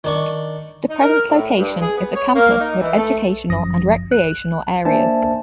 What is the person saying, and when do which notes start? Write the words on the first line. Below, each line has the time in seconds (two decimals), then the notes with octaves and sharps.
The present location is a campus with educational and recreational areas.
0.04 D#3 D4 C#6
0.89 D#4
1.01 A#4
1.27 A2
1.58 G2
1.80 G#4
1.96 B3
2.14 C#5
2.34 A#3
2.60 D#4
2.80 E3
2.96 A3
3.50 G1 F#2 F3 D#6 A#6
4.12 F#6
4.85 A#3 D4 C5 E5 G#5 A5